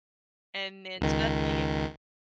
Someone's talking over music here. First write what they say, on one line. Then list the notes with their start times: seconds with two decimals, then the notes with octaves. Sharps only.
And then suddenly it
1.01 C#2 D#3